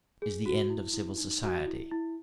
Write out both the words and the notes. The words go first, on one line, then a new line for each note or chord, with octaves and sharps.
It is the end of civil society.
G#4
F#4
E4
E4
D#4
F#4
E4
E4